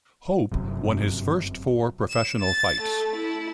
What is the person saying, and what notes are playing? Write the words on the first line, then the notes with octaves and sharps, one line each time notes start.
Hope won his first four professional fights.
G1 F#2 C3
E7
A6
A3
E4